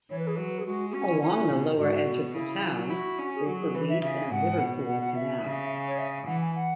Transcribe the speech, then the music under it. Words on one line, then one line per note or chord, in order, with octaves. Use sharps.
Along the lower edge of the town is the Leeds and Liverpool Canal.
E3 C#5
B4
G#4
F#3 B4
G#4
G#3 F#4
G#4
C#4 F#4
E4
C#4 E4
B2
G#2 F#4
B2
C#3 E4
F#3
E4 F#4
C#4
G#4
F#3 F#4
G#4
E3 B4
E5
C#3 E5
G#2 F#5
B2
F#5
F#5
E5
C#3
C#5
E5
E3 F#5
G#5
F#5